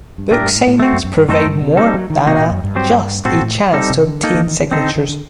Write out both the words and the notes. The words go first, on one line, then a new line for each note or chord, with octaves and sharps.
Book signings provide more than a just a chance to obtain signatures.
G2
A2 A3 D4 G4 A#4
G2
A2
A2
A3 C4 F#4
F#2
F#2
G2
F#2 D#3 A3 D#4 A4 C5
G2
C3
G3 C4 D#4 A4
F#3
D#3
C3 A#3 D#4 F#4
A#2
F#2
G2
F#3 C4 G4 C5
A2 C4 F#4 A4 C5
A#2
A2
G3 C4 D#4 A4
C3
D3
A#3 D#4 A4
D#3
D#3
D3
D3 C4 D#4 A4 C5
D3
D#3
D3